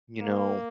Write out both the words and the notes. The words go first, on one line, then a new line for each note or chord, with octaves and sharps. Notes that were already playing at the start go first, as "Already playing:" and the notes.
you know,
A#3